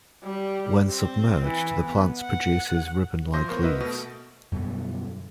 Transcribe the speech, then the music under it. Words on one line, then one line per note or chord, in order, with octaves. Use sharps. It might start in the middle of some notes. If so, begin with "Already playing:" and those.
When submerged, the plant produces ribbon-like leaves.
G3
C4
E3
B3
F#5
F3 E5 C6 G6 A#6
A2 A#3 B3 A#4 C5 C#6
F#4 A#4 B4 D#5 E5
B2 A3
F#2 B2 D3 G3